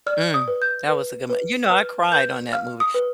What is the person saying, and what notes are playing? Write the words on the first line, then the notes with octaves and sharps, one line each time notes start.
Mm, that was a good mo you know, I cried on that movie,
D5 F6
D#6
B4
G6
B4
B4
B4 F6
B4 G6
F5 F6
D#6
B4